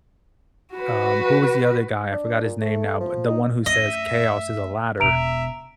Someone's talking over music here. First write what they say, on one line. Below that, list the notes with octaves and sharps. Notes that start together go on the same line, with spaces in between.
um, who was the other guy? I forgot his name now, but the one who says, "Chaos is a ladder."
F#4 B4
D4
A#2
A3
F3
D#4
F#2 A3 D#5 E5
E1 B2 E5 A#5 D7 F7